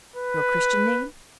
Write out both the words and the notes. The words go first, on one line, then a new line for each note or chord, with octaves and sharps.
"Your Christian name?"
B4